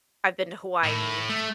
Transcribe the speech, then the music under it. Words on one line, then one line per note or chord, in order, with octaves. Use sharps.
I've been to Hawaii,
A2
A3